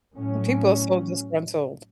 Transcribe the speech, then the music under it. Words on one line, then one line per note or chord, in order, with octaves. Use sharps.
People are so disgruntled.
A2 F#3 C#4